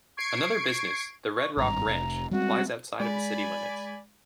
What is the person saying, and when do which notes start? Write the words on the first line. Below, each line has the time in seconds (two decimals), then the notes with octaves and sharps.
Another business, the Red Rock Ranch, lies outside of the city limits.
0.17 C#6 G#6 C7 D7
1.34 C#6
1.57 G#1 G2 A#5
1.85 F1
2.31 G3 G#3 C4 F#4
3.00 G#3 D5 G#5 B5